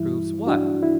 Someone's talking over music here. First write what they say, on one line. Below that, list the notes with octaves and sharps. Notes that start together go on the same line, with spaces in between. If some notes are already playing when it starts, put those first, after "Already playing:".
"Proves what?"
Already playing: G2 E3 G3 E4
D4 F#4
E4